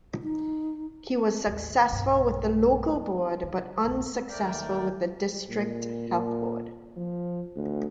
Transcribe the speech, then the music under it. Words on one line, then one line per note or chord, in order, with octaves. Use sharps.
He was successful with the local board, but unsuccessful with the District Health Board.
D#4
A1 D#2
B1 G2
F#3
D3
A#1 D#2
D#2 A3 A#4 D5 G5
A#2
A#2
F3
D2